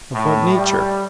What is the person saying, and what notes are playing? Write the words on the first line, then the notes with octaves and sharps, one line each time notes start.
Of what nature?
A2
G3